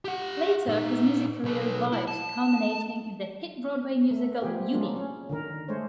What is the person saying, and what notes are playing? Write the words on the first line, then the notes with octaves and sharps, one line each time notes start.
Later his music career revived, culminating in the hit Broadway musical, "Eubie!".
G4 F#5
A#2 D#4
B1 B4
E4
A5
A3
F3 A3 B3 G4 G#4
F#3 G#3 A#3 D4 F4
C#4
D3 D#3 A#4
G#3 A3 D4 C5 C#5